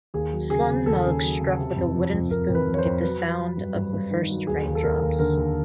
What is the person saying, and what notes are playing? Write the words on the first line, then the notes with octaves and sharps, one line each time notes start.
Slung mugs struck with a wooden spoon give the sound of the first raindrops.
D#2 G#4
F#3
C#3 G#4
C#3
D#2 A4
C#3
F#3
C#3
C3
F2
F3
F2
F2 A#4
F2
B4
F2
C#5
C5
F2
F#3 B4
F#3
F#3
G2
G2
G2
D#3
F#3
D#2 G#4
D#2
A4
D#2 A#4
D#2
D3 A#4
D#2